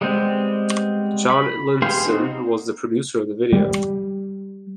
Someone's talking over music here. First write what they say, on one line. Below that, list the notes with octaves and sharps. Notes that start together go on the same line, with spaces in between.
John Linson was the producer of the video.
G3 G#3 B3 C4
B5
G4 G#4 B4 F5 C6
C4 D#4 F#4
G3